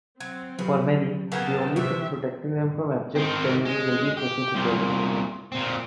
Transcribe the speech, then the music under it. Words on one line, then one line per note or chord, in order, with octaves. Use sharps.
For many, the only thing protecting them from abject penury will be Social Security.
F#3 C4 G#6
C#3 F3 F#3 G4 B4
C#3 A#3 B3 A4 G5 A5
C3 G4 C5 E5 G5 C#6 F#6
D#3 C4
G#3
G4
C2 A#2
A#2 C4